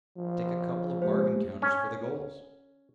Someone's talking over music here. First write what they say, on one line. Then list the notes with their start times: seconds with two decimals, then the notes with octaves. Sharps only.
Take a couple of bargain-counters for the goals.
0.17 F3
1.02 G#3 A#3 G4 C5
1.62 C#4